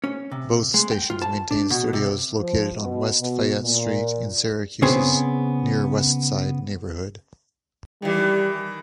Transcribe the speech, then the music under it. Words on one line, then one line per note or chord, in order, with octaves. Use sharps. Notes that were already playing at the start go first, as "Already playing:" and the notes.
Both stations maintain studios located on West Fayette Street in Syracuse's Near Westside neighborhood.
C#4
C3
G#3
G5
F4
A5
D4
B2
C3
F3
B2
B2
A#2
C#3 B3 C4 G#4
D#3 E3 G3